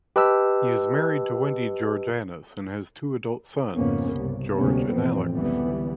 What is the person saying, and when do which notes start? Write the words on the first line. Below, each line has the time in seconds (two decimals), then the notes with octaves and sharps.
He is married to Wendy Georganas, and has two adult sons; George and Alex.
0.16 G4 B4 D#5 A5 E6
3.75 F2 G#2 C#3 A#3 B3 C#4
4.15 C2 G2
4.54 D2 C3 G3 A#3 B3 C#4
4.93 F2 A2 E3 C4
5.33 C#2 D3 E3 G3 B3